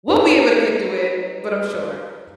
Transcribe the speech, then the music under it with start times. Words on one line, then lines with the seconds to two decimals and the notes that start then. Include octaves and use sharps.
we'll be able to get through it, but I'm sure.
0.08 D#4 G4 B4 C#5